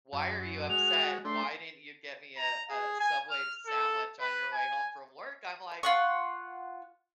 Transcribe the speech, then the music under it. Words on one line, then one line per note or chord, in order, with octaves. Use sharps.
"Why are you upset? And why didn't you get me a a Subway sandwich on your way home from work?" I'm like,
F#2
G#3 F#4 F7
A3 D4 C6
A#5
G#4
G#5
F6
A4
B4
G#5
F4 F#5 C#6